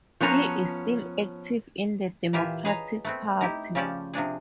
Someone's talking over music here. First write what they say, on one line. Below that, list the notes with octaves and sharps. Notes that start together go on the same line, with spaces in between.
He is still active in the Democratic Party.
F3 B3 C#4 A#5
A#2 E3 F4 G4 E5 G#5
G#4 B4 C#5 D#5 A#5
A3 B3 C4
D#4 E4 G4
C#3 F3 C#4 G4 D5 A5
C3 F3 D4 G#4